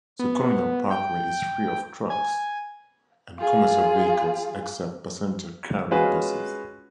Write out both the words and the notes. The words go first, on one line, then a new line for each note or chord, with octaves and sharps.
The Colonial Parkway is free of trucks and commercial vehicles except passenger-carrying buses.
B3
G5
G#5
F4 G#4
G#3 C#4 F4 F#4 G#4 B4